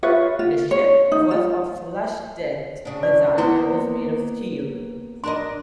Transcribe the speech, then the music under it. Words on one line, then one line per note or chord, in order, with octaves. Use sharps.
The ship was of flush decked design and was made of steel.
F4 B4 C#5 E5
F4
C#5
D#4
F4
C#3 D4
D5
A#3 B3 E4 C5
D4 A#4 D#5 C6